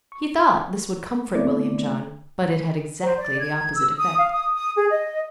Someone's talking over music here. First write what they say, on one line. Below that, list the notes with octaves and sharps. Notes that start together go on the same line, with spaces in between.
He thought this would comfort William John, but it had exactly the opposite effect.
C#6
A3 B3 C4 E4 D5
C5
D5
G#6
E6
D#6
F5
D#6
D#6
G#4
D#5